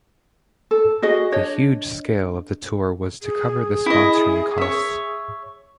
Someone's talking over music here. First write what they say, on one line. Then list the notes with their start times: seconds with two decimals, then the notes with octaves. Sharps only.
The huge scale of the tour was to cover the sponsoring costs.
0.71 A4
1.02 F#4 G#4 D#5
1.32 D4 C#5 D#5
3.22 G#4
3.86 E4 D#5
4.58 C#5 E5